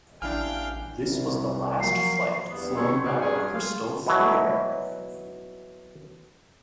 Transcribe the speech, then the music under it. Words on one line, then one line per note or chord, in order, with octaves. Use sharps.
This was the last flight flown by a Bristol Freighter.
A1 D4 E4 F5 G5 G#5 F6
C2
F3 F#3 A#3 C7
E2 G2 B3
D#3 G#3 B3 F4 A4 C#5
G#2 B2
G2 F#3 G3 C4 C#4 G#4
F4
B2 E3 F#3